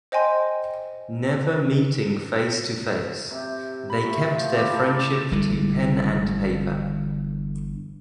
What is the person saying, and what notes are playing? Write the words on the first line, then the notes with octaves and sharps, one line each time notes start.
Never meeting face to face, they kept their friendship to pen and paper.
C5 D#5 G5 G#5 C6
C3
B5
A2
F3
G4
A4
D5
G1 G2 D3 E3